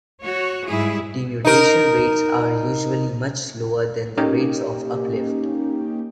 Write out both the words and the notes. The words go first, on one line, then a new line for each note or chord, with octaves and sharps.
Denudation rates are usually much lower than the rates of uplift.
F#4 C#5
G#2 G3 E4 G#4
D#4 A#4
A#3 C#4 D#4 G4